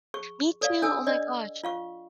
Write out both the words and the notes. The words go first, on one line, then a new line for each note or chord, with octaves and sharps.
Me too! Oh my gosh.
G#4 C#6
A4 D5 F5
D4 A4 G#5 E6
D4 D5 D#5
F4 F5 C#6